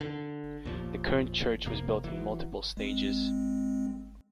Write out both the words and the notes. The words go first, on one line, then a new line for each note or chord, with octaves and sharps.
The current church was built in multiple stages.
D3
D#2 A#2 F3
F2 C3 A#3
E3 F#3
G#3 C4